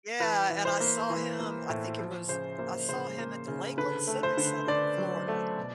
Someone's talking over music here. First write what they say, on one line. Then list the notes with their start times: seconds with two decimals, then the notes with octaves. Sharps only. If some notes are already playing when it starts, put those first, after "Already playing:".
Yeah, and I saw him, I think it was, I saw him at the Lakeland Civic Center in Florida.
0.20 E3 B4
0.50 E3
0.65 C5
0.80 A#3
1.10 E3
1.40 A#3
1.70 A2
2.00 F3
2.29 C#3 C5
2.59 A#3 C5
2.89 C#3 C5
3.19 A#3
3.48 C#3
3.78 D3 B4
4.07 A3
4.23 C5
4.38 D3
4.68 D3 D5
4.98 F#3
5.28 A3
5.57 B2